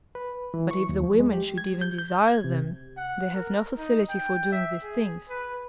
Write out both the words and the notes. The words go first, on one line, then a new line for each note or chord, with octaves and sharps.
But if the women should even desire them they have no facility for doing these things.
B4
E3
C#6
D#2
F3
G#3
G4
G#6
G6
G6
G#6
C3
F#5
A#4
D#4
G5
E5
G#4
B4